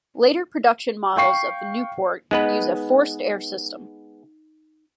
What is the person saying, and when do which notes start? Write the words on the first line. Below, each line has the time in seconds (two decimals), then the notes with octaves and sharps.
Later production models of the Newport use a forced-air system.
1.16 F5 G5 C#6 C7
2.31 G#3 B3 D#4 B4